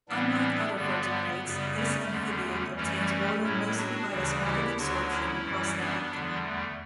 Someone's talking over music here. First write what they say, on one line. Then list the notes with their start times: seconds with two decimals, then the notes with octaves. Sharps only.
Unlike other vertebrates, this amphibian obtains water mostly by osmotic absorption across their abdomen.
0.08 A2 E3 G3 B3 D4
0.75 G2 D3 G3 B3
1.42 F#2 C#3 G3
1.76 A3 C#4
2.09 E2 D3 G3
2.76 F#2 E3 G3 A3 C#4
3.43 A2 F#3 C#4 E4
3.77 D4 F#4
4.10 D2 C#3 E3 G3
4.44 E4 G4
4.77 D2 D3 F#3 D4 F#4
5.10 C#4 E4
5.44 F#2 E3 G3
5.77 B3 D4
6.11 E2 D3 G3
6.44 A3